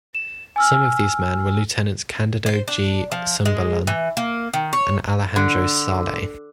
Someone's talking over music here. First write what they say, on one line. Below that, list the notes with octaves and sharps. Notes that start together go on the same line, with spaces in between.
Some of these men were Lieutenants Candido G. Sumbalan and Alejandro Sale.
E7
G#5 E6 F6
C5
D4
F3
G#3
E3
A#3
D#3
C#5
D3